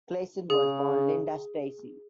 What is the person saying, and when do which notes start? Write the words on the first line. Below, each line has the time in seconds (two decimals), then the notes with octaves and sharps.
Klassen was born Linda Stacey.
0.50 C#3 G#4